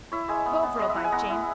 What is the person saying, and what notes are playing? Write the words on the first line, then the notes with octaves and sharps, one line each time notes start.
Bovril, by James.
E4 C#5 E5
G#3 E5 G#5
B3
B3
G#3 D#5
E5
E4 F#5
G#5
B3 F#5 A#5
E4